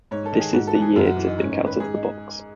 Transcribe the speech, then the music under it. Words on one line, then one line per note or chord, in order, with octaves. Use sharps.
This is the year to think out of the box.
G#2 C#5
A4
D#3
G#4
G#2 F#4
A4
E3
G#4
F#2 F#4
F#4
E3
D#4
G#2 C#4
D#4
D#3
B4
G#2 G#4
D#4